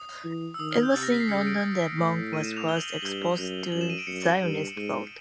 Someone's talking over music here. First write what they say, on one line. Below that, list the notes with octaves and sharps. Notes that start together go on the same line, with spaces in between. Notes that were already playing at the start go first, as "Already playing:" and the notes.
It was in London that Monk was first exposed to Zionist thought.
Already playing: D#6
E3
E6
D#3 D#6
F6
G6
C3 A6
A#6
B6
C7
C#3 C#7
D7
A2
D#7
E7
F7
G7
F#7
G7
F#7
G2 G7
F#2
F#2 F#7
E7
D#7
D7
F#2 C#7
G2
G#2 D#7